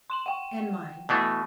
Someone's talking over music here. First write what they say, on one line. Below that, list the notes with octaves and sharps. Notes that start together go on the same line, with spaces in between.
"And mine."
C6 E7 F#7
F#5 G5
B2 E3 A3